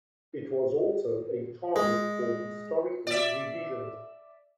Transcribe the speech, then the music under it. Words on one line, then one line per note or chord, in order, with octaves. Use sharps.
It was also a target for historical revisionists.
G#3
D5 E5